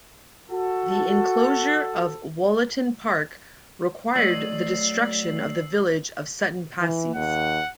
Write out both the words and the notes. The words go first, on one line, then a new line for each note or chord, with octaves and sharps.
The enclosure of Wollaton Park required the destruction of the village of Sutton Passeys.
F#4 A4
F#3 A3 D5 D#5 E6 C7 F#7
E3
D#2 F#5